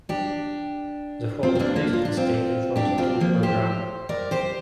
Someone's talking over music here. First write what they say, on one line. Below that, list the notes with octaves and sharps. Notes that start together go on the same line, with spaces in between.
The following list is taken from the tour programme.
D4 G4
C4 F4
C4
A#3 D4
A#3 D4
F4
D4
C4 F4
D4 G4
C4 F4
F3 A#3
G4 C5
A#4 D5
G4 C5